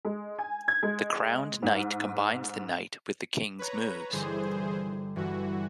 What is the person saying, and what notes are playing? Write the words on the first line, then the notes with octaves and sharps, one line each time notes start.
The crowned knight combines the knight with the king's moves.
G#3
G#5
G#6
G#3
G#2
B4 C#5 A#5
G1 E3 G#4 C5
G2 E3 F#4